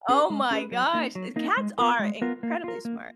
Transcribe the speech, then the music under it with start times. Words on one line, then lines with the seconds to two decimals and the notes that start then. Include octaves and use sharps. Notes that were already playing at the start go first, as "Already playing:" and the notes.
Oh my gosh, e cats are incredibly smart.
0.09 C#4 G#4 B4
0.30 G#3
0.51 C#4 G#4 B4
0.72 F#3
0.93 A#3 D#4
1.15 F#3
1.36 A#3 D#4
1.57 G#3
1.78 B3 F4 A#4
1.99 G#3
2.22 B3 F4 A#4
2.43 A#3
2.64 F4 A#4
2.85 A#3